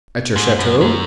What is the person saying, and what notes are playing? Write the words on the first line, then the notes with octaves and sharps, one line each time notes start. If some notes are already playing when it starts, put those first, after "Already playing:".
"At your chateau."
G#2
F#2
F#2